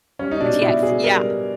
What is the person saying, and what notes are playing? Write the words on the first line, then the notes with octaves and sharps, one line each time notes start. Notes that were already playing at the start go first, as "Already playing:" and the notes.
RTX, yeah.
G3 C#4
D#4
B2 D4
B2 E4
B2 G#4
G3 A#4